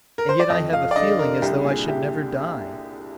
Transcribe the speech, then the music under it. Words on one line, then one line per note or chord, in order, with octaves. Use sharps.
And yet I have a feeling as though I should never die.
A#4
C5
D5
F2 D#5
F2 F5
D5
D3 D#5
D3 A#4
C2 G4
A#2 G#4
C2 G4